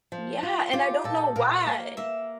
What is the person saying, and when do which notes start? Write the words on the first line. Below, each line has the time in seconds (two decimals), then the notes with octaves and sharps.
Yeah, and I don't know why.
0.12 F3
0.43 F4
0.73 F4 G4
1.04 A#2 A4
1.36 A#2 A#4
1.66 A#3
1.97 A#3 E5